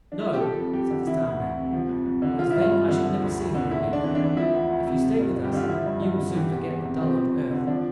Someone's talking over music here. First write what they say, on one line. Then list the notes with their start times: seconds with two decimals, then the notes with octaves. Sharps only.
"No," said the Star-man, "because then I should never see her again. If you stay with us you will soon forget the dull old earth."
0.12 D4
0.19 E4
0.26 F4
0.33 G4
0.40 F3 A4
0.57 F2
0.73 F2 G4
0.90 D3
1.07 E3 E4
1.23 D2
1.40 D2
1.56 C3
1.73 F3
1.89 F2
2.06 F2
2.22 D3
2.39 F3 F4
2.50 E4
2.55 G2
2.61 F4
2.72 G2
2.88 D3
3.05 F3
3.21 D2
3.38 D2
3.55 D3
3.71 E2 E4
3.87 E2
3.93 D4
4.04 E3
4.15 D4
4.20 E3
4.37 F3 E4
4.54 D2
4.70 D2
4.87 C3
5.03 F3
5.19 G2
5.36 G2
5.44 G4
5.53 D3 F4
5.69 F3 E4
5.86 G2
6.02 G2
6.18 D3
6.35 E3 G4
6.52 E2
6.68 E2
6.85 C3
7.01 F3 C4
7.18 F2
7.34 F2
7.51 D3
7.67 F3 D4